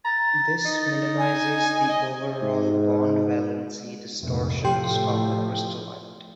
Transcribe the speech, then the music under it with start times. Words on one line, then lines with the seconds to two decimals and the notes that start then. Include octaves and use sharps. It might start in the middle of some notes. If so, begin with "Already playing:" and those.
This minimizes the overall bond-valence distortions of the crystallite.
0.05 A#5 A6
0.65 D#4
1.18 G#5
1.89 D#5
2.43 G#2
4.23 F1 A#1 F2 G#2
4.65 A2 F3 G4 G5 C6